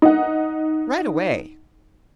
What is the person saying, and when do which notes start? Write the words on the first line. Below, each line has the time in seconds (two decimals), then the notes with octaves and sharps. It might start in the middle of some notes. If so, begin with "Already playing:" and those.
"Right away."
0.02 D#4 F#5